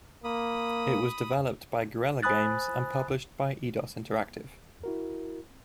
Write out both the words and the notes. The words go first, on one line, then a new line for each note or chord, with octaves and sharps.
It was developed by Guerrilla Games and published by Eidos Interactive.
A#3 B5 D#6
C5 G#5 B5 D#6 F#6 A6
E4 F#4 A#4